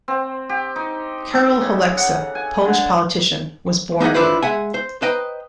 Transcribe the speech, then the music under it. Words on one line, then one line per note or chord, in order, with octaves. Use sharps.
Karol Holeksa, Polish politician, was born here.
C4
G4
D#4
A4
C#3
F#5
G#5
D3
A#3 D#4 G#4 D#5 F#5
D4 E4 F4 B4 C5
G#3 E5 F#5 G#5
C5
B4 C5 D#5 G5 A#5